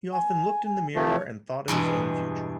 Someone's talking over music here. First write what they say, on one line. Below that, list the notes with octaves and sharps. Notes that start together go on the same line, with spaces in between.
He often looked in the mirror and thought of his own future.
G#5
G#5
C3 F3 A3 B4
C#5
E2 G2 B2 G#3